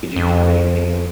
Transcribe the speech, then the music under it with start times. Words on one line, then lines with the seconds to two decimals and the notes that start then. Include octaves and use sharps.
could you think of anything else?
0.16 F2